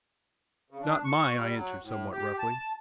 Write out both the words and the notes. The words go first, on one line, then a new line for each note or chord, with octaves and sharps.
"Not mine," I answered somewhat roughly.
C#3
D4
C#6
G3
F#3
A2
G4
A5